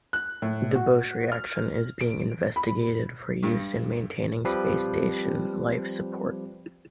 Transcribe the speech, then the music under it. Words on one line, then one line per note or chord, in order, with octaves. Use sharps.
The Bosch reaction is being investigated for use in maintaining space station life support.
F#6
A2
F#4
F6
D7
B5
G2
F3 G3 C4 G4 B4